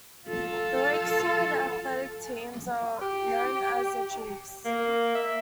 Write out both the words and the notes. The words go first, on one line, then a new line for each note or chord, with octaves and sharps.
The Lakeside athletic teams are known as the Chiefs.
F4 A4
G4
A#3
E5